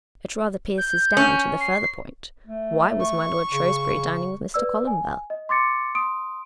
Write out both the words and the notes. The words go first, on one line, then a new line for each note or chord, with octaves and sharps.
It rather pierces down to the further point, Why was my lord Shrewsbury dining with Mr. Columbell?
G6
C#4
C7
A3
C#6
C#3
B4 D5 E6
G#5
D#5
C6 D6 A6 C#7
C6 D#6 D7